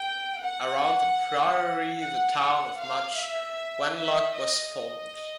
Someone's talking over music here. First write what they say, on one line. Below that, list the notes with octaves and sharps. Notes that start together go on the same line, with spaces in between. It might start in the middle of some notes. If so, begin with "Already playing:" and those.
Around the Priory, the town of Much Wenlock was formed.
Already playing: G5
F#5
F#5
F5
E5
E5
D#5
D#5